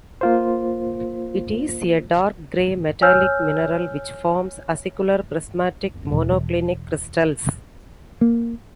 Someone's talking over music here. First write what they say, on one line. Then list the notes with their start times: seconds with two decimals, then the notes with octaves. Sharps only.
It is a dark grey metallic mineral which forms acicular prismatic monoclinic crystals.
0.21 A#3 F4 C5
3.02 C#5 G#5 E6 F6 G6
6.12 E1
8.21 A#3